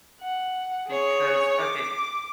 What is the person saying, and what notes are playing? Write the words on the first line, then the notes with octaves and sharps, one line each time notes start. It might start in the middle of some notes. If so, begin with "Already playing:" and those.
because okay
F#5
G#4 C#5
D6